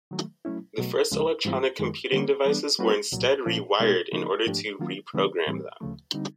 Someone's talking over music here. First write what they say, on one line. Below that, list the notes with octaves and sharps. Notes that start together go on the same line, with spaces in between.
The first electronic computing devices were instead rewired in order to "reprogram" them.
D#3 F#3 A3
F#3 A3 C#4 E4
B2 F#3 A3
D2 C#3 F3 G#3
G#2 E3 G3 C4 F4
F#2 D#3 G#3
D3 G3 A#3
E3 G3 B3 D4
G3 A#3 C#4 F#4 B4
C2 A#2 F#3
A#2 F3 A#3 C#4
B2 G#3 B3 D#4 G4
C#3 F3 A#3 D#4
G#2 F3 A3 D4 G4
D#3 F#3 A#3 C#4 F4
C#3 E3 G3 B3 D4
A2 E3 G3 C4
D2 C#3 F3 A3
D3 G3 C4 D#4